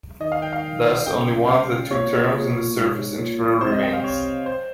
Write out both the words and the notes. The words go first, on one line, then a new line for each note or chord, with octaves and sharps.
Thus only one of the two terms in the surface integral remains.
D#3 D#5
F5
G5
F5
C#3 G5
F5
A#2 C#5
G#2
A#2
C3 C5
D#5
G5
F5
C#5
C5